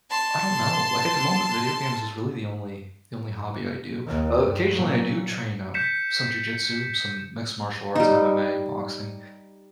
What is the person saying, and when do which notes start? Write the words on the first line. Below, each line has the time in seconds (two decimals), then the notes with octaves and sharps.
I don't know. Like, at the moment, video games is really the only the only hobby I do. Uh, occasionally I do train, um, some jujitsu, some mixed martial arts, MMA, boxing,
0.10 A5 C6
4.06 D#2
4.42 G2
4.74 A#2 F#3
5.74 G6 B6 C#7 E7
7.95 G3 D#4